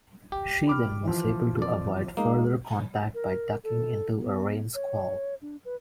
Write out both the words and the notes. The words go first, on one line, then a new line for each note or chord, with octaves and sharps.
She then was able to avoid further contact by ducking into a rain squall.
G4
B5 D6 F6
E3 F3
F2 D5
G#3 A#3 D#4
A#4
A4
B3
C#5
D4
B4